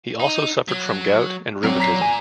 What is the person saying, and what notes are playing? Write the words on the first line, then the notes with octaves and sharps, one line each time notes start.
He also suffered from gout and rheumatism.
D#4
F#3
F#3 C4 A#4 D5
A#5 B6 C7
G#5